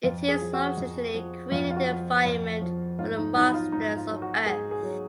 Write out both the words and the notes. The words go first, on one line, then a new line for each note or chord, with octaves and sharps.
It is an artificially created environment for the monsters of Earth.
F2 F4
G#4
F3
F#4
F2
F3
F2 F4
F4
F#4
F3
F2 F4
F3
G#2 F4
D#4
F#3 D#4
F4
G#2 D#4
F4
F#3
F#4
G#2 G#4
G#4
F#3